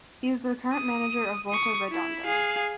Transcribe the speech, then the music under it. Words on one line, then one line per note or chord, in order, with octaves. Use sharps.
He is the current manager of Volta Redonda.
D#6
C#6 D#6
E4
G#4 F5